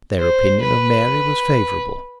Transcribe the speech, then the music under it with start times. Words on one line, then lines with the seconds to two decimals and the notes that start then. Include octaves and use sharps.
Their opinion of Mary was favourable.
0.19 C5
0.62 B4